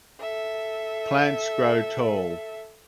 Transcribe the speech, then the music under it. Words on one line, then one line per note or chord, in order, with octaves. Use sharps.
Plants grow tall.
A4 E5